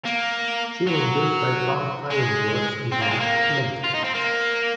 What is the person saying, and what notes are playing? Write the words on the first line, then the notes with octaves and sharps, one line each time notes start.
She was built by Bath Iron Works in Bath, Maine.
A#3
F#3
G#3
C4
A#3
G#3
A#3
F4
D#4
C4
A#3